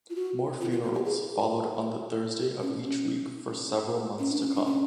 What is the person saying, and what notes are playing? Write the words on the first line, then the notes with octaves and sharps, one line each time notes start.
More funerals followed on the Thursday of each week for several months to come.
F4
F#4
F4
F4
F#4
G4
G#4
G4
C#4
C#4
C#4
D4
C#4
D4
C#4